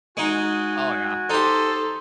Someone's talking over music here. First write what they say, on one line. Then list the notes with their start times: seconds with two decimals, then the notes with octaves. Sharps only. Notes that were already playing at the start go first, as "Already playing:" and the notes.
Oh, yeah.
0.17 G#3 D#4 F#4 G#5
1.30 D#4 G4 A4 C5